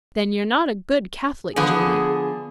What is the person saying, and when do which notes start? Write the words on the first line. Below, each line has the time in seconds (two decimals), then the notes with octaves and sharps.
"Then you're not a good Catholic, Julie?"
1.56 D3 F3 B3 G#4